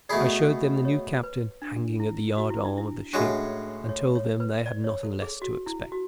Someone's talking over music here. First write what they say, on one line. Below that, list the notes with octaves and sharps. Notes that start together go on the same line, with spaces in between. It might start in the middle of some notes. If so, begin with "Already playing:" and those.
I showed them the new captain hanging at the yard-arm of the ship, and told them they had nothing less to expect.
B2 A3 E4 G#4 D5
C#5
B4
D4
E4
F#4
E4
D4
E4
A2 G#3 C#4 D4 F#4
C#5
C#5
B4
D5
C#5
A4
G#4
F#4
E4
F#4